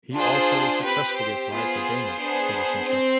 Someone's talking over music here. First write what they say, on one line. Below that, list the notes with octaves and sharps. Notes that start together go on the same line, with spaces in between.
He also successfully applied for Danish citizenship.
D4 F4 G#4 C5
C4 G4 B4
C5
B3 F4 G#4 C5
B3 D4 G#4
C4